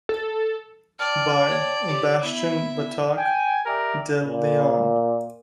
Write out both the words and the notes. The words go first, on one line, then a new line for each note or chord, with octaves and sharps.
By:Bastian Batac De Leon.
A4
D5 G5 A5 F6
C#5
G4 C#5
B3 E4 E5
G5 G#5
G4 A#4 D5 E5
A#2